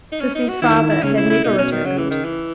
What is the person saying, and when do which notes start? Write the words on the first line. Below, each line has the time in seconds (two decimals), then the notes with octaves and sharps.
Sissy's father had never returned.
0.12 D#4
0.21 C#4
0.35 D#4
0.48 F#4
0.62 D#3 E4
0.76 E4
0.90 E4
1.03 C#3 C#4
1.17 E4
1.30 E4
1.44 B2 D#4
1.58 C#4
1.72 D#3
1.85 C#3 F#3
1.98 E3
2.11 D#3
2.25 E3